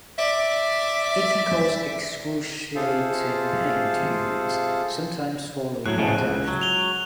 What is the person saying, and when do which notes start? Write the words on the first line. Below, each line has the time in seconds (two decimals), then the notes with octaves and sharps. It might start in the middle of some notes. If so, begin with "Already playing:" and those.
It can cause excruciating pain to humans, sometimes followed by death.
0.18 D5 E5
2.75 C3 F4 G#4 A4 C5 F5
5.86 A2 F#3 F#6
5.98 A2 C#3 F3
6.21 C#2
6.48 F#3
6.62 F7 G7